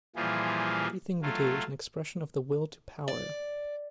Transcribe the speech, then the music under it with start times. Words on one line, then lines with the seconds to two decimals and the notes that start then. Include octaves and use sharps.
Everything we do is an expression of the will to power.
0.16 A#2 E3 F3 G3 F4 G#4
1.22 F#3 A3 F4
3.08 D5